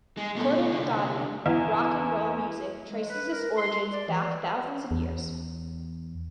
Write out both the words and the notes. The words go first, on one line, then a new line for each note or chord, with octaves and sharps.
According to Godwin, rock and roll music traces its origins back thousands of years.
G#3
B2 A3
C2 D3
E2
G#3
B4
A#4
C6
D5
E3
E2